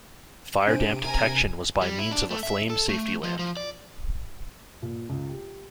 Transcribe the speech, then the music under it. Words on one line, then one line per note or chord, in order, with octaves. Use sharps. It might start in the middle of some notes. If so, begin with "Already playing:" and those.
Firedamp detection was by means of a flame safety lamp.
C3 D4 C5 D7 D#7
A#4 G#5 A#5
G3
E4
D4
A3
E5
A4
A3
F3
F3
D5
A#2
C#2
G4